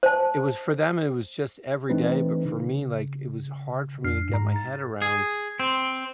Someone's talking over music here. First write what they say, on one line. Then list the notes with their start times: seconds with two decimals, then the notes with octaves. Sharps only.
it was for them it was just every day, but for me, like, it was hard for me to get my head around,
0.03 C5 A5
1.90 E3 A3 C4 D4 D#4 B4
2.45 C#3
4.04 F2 D4 F6 C7
4.29 G#2 A#5
4.56 A6
5.02 G#4
5.60 C4